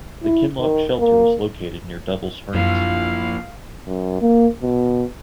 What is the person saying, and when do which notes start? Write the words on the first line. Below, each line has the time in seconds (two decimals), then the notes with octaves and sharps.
The Kinlock Shelter is located near Double Springs.
0.23 E4
0.59 D#3
0.99 A#3
2.55 F#2 A#2 F3 E4 F5
3.87 F#2
4.21 A#3
4.62 B2